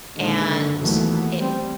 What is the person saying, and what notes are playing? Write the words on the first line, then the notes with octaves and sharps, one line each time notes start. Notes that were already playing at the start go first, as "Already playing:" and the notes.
and it
A#2 D3 D#3 G#3
F#1 D3
D#2 B2 E3 F#3 A3 B3
G3 C4